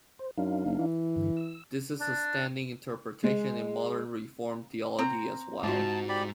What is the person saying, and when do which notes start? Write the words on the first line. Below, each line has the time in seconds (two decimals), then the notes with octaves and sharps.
This is the standing interpretation in modern Reformed theology as well.
0.19 C5
0.38 F#2 D4 D#4 F5
0.65 F#1
0.79 E3
1.16 G2 D3
1.37 E6
2.01 D4
3.24 G#3
4.99 C4 A#5
5.63 G#2 F4 F#4 A5
6.09 G4 D5 B5